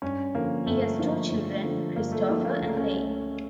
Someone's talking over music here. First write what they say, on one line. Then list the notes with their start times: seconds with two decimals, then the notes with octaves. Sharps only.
He has two children, Christopher and Leigh.
0.02 G2 C#4
0.35 D3 F3 A#3
0.66 G2 A3
0.99 D3 F3 A#3
1.32 G2
1.64 D3 F3
1.96 G2 A#3
2.12 A3
2.28 D3 F3 A#3
2.45 A#3
2.60 C#2 A3
2.77 C#4